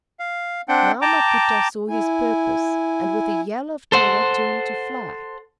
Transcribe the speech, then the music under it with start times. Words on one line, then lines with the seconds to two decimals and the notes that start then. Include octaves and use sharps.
Now Maputa saw his purpose and with a yell of terror turned to fly.
0.19 F5
0.68 C4 D4 F#5 G5
1.02 G5 A5 A#5 D6
1.89 E4 G#5
3.92 A4 C5 F#5